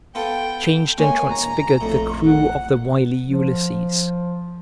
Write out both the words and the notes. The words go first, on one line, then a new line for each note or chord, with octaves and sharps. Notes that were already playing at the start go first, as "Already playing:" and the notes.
Changed and transfigured the crew of the wily Ulysses.
B3 F4 A4 G5
G#3 A#3 C#5 G#5
E1 A#5
A#1 F2 A2
F#5
F3